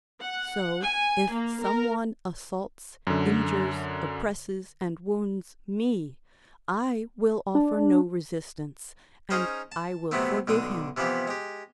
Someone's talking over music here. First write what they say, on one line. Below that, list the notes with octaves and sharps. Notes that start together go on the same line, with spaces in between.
So if someone assaults, injures, oppresses and wounds me, I will offer no resistance, and I will forgive him.
F#5
G#5
A#3
A#4
F#2 D3
D4
C#4 D#4 G#4 A#4 C5
A5
C3 F#3 A3 B3 C4
B1 D3 D4 D#6
C3 E3 F3 B3 G4
G#3 G4